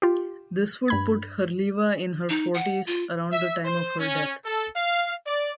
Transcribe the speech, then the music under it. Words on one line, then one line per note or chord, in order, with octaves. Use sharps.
This would put Herleva in her forties around the time of her death.
F4 G4
G2 B5 G#6
D#4
F#5
F4
E5
C5
C#4
A4
F5
D5